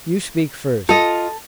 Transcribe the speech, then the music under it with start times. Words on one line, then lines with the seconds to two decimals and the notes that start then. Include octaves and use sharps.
"You speak first."
0.89 F4 A4 D#5